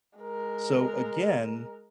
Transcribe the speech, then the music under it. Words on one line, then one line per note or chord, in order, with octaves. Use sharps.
So, again,
G#3 A#4